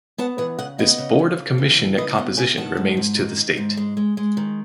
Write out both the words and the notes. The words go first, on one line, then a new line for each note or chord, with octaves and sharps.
This board of commission composition remains to this date.
B3 F#5 A5
E3 D#5 F#5
C#3 D#5 F#5
B3 D#5 F#5
C#3
C#3
C#3
E3
C#3
C#3 B4 D#5
E5
B3 D#5 F#5
B3 E5 G#5
D#3 F#5 A5
G#2
G#2
D#4
D#3
G#2
G#3
G#3
G#3
D#3